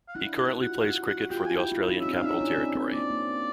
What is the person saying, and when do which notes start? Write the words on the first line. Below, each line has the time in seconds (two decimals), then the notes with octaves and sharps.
He currently plays cricket for the Australian Capital Territory.
0.08 F5
0.15 D4 E4 F#5
0.38 E4 F#4 F#5
0.61 F4 G4 F#5
0.80 F5
0.84 E4 F#4 F#5
1.08 E4 F#4 F#5
1.30 F4 G4 G5
1.46 G#5
1.54 E4 F#4 G5
1.72 D#4 F4
1.89 C#4 D#4
2.01 E5
2.06 C4 D4
2.13 F5
2.23 C#4 D#4 E5
2.41 D4 E4
2.58 C4 D4
2.75 C4 D4
2.93 A#3 C4 D5
3.10 A#3 C4